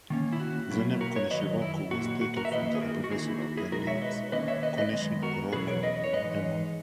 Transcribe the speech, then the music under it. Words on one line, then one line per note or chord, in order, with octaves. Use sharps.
The name Konishiroku was taken from the abbreviation of their names, "Konishi Roku"emon.
D#3 A#3 C#4
E4
F#4
B2 F#3 A#3 E4
F#4 A#4
A#4 C#5
F#2 D#3 F#3 B4 D#5
E4
A#2 A#3 E4 F#4
F#4
F#4
F#4 A#4
E5
D#3 A#3 E4 B4 D#5
G#4
F#4 A#4
F#4
D#3 A#3 D#4 E4 G#4
E4
F#4
E4 G#4
B2 G#3 D#4 F#4 A#4
C#5 E5
B4 D#5
D#3 A#3 C#4 E4 B4 D#5
C#5 E5
B4 D#5
B4 D#5
F#2 D#3 G#3 B3
F#4 A#4
E2 B2 F#3 C#4 E4 G#4 B4
A#4 C#5
B4 D#5
C#5
G#2 E3 G#3 D#4 B4 D#5